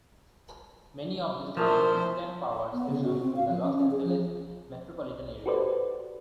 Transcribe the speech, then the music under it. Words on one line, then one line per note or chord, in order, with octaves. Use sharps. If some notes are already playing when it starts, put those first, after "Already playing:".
Many of these link distant power stations to the Los Angeles metropolitan area.
F3 A3 D4 E4 G#4 A#4 C5
B3
C#3
F#4
C4
F5
F3
C#4
C#4
G#4
F3
F#4 G4 A4 B4 C5 D5